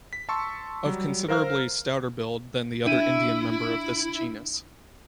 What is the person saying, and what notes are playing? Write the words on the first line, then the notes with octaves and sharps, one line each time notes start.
Of considerably stouter build than the other Indian member of this genus.
B6
A5 C6 C#6 E6 C#7
F#3 G3
A#4 C5 F5 A#5 F6
D4 E4 D#7